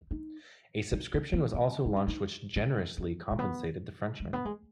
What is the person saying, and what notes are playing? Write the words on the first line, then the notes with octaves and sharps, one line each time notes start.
A subscription was also launched which generously compensated the Frenchmen.
D#4
D#4
C#4
B3
B3
D#4
C#4
D#4
C#4
B3
G#3
B3
G#3
B3
G#3